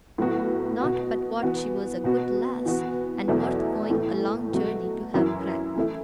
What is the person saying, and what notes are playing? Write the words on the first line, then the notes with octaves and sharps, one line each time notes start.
Not but what she was a good lass, and worth going a long journey to have a crack with.
A2 F#3 B3 F#4
B2 B3 F#4
E3 B3 F#4
B2 B3 F#4
E3 B3 F#4
E2 B2 F#3 A3 E4
A2 E3 A3
B2 F#3 A3 F#4
F#2 E3 C#4 E4
E3 A3 E4